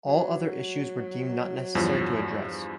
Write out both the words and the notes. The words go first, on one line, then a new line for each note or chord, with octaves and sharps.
All other issues were deemed not necessary to address.
F#3
E2 G2 F3